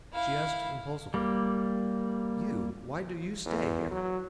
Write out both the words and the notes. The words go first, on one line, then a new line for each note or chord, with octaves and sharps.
She asked impulsively, "You, why do you stay here?"
E4 F5
G3 A#3
E2
F#3